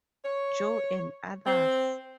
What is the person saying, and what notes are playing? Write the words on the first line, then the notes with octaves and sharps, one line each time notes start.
Joe, and others.
C#5
C4